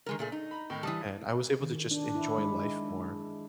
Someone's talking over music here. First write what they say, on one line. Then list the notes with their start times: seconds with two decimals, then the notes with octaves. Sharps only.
and I was able to just enjoy life more
0.06 D#3 G#3 A#4
0.19 A#2 A3 G#4
0.32 D#4
0.51 A#5 B5
0.70 A2 D#3 G5
0.83 E3 G3 A5 D#6
1.61 D#3
1.91 D4
2.15 E4
2.38 G#3